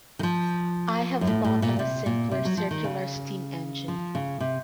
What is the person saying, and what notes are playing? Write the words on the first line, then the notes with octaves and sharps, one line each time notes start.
I have thought on a simpler circular steam-engine.
D#3
F3
F#2
A2
A2
A#2
C3
A#2
C3
F#3
F3
D#3
C#3
F3
C#3
C3